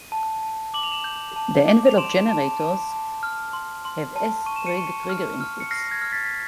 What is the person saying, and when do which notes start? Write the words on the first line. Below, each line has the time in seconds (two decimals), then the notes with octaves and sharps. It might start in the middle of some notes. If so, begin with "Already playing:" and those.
The envelope generators have S-trig trigger inputs.
Already playing: D#7
0.12 A5
0.43 A5
0.74 D6 F#7
0.83 F7
0.92 E7 F#7
1.04 G6
1.36 A5
1.68 D6
1.87 F7
1.97 C6 D7 E7
2.29 A5
2.60 A5
2.91 A5
3.23 F6
3.53 C6
3.85 C6
4.16 A5
4.46 C#6 D#7
4.56 E7
4.66 C#7 D#7
4.78 C#6
5.09 F6
5.41 F6
5.60 C#7
5.71 F6 A#6 C7
5.91 G#6 A#6
6.02 F6
6.12 A6 B6
6.25 B6